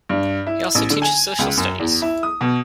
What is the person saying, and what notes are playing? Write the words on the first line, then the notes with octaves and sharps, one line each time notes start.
He also teaches social studies.
G2
E4
A1
D3
G#5
C#2
F#2
E2
E4
D#6
B2